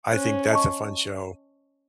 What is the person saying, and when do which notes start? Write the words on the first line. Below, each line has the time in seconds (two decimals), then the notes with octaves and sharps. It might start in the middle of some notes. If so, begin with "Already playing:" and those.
I think that's a fun show.
0.13 C#4 C5
0.51 D#5 A5 C#6